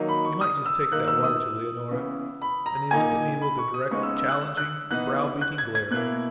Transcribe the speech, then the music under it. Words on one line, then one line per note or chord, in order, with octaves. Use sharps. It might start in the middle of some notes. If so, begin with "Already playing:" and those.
"You might just take that wire to Leonora." And he looked at me with a direct, challenging, brow-beating glare.
Already playing: D#3 F#3 A#3 D#4
B5
C#6
D#6
E6
D#3 A#3 D#4 F#6
E6
D#6
C#3 E3 B3
B5
A#5
A#2 A#3 D#4 G#5
B5
C#6
D#6
C#3 G#3 B3 D#4 C#6
E6
E6
F#6
E6
F#6
E3 B3 D#4 F#6
F#6
G#6
G#6
B2 A#3 E4 F#6